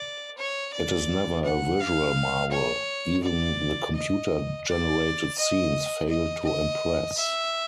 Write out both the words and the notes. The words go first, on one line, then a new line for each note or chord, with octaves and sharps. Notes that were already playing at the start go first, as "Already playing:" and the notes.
It is never a visual marvel - even the computer-generated scenes fail to impress.
Already playing: D5
C#5
D5
F#5
F5
C#5
D5
D#5
D5
D#5
D#5
D#5
E5